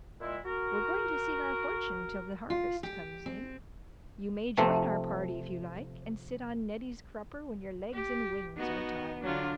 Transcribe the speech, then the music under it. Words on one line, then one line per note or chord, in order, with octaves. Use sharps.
"We're going to seek our fortune till the harvest comes in; you may join our party if you like, and sit on Neddy's crupper when your legs and wings are tired."
A#2 G#3 E4
F#4 A#4
F4
G4
C4
C3 F3 A3
G4
B3 D#4 F#4
D3 F#3 D4 F4